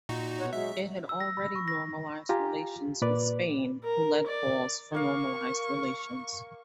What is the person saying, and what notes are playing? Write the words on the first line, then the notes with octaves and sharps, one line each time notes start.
It had already normalised relations with Spain who led calls for normalised relations.
A#2 D#4 F#4
B2 C#5 F#5
F#3 G#3 E5
E6
A#6
B5
C#6
A#6
F4 G4 G#5 A#5
A#2 B4 D5
A#4
D5
A#3 A#4 F5 C#6